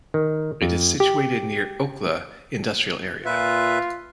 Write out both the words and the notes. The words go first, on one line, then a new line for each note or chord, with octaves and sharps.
It is situated Near Okhla Industrial Area.
D#3
F2
G4
A#2 F4 B4 E5